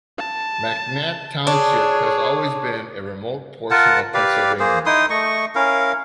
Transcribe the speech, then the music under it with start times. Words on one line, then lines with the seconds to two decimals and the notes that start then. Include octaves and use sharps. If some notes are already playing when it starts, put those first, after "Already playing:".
McNett Township has always been a remote portion of Pennsylvania.
0.18 A5
1.47 D4 G#4 C#5
3.71 F4 A#4 F#5 A5
4.14 G4 B4 D5 F5
4.60 A#3 G#4 C5
4.86 D#4 E4 C6 D#6
5.10 A3 D#5 C#6
5.55 C#4 E4 A#4 F5